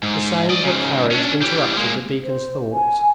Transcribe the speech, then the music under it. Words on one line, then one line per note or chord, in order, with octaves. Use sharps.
The sound of a carriage interrupted the deacon's thoughts.
G#2
D5 D#5
G#2 C#3
C#4 D4
E3 G3
G#3 A#3
C5
G#5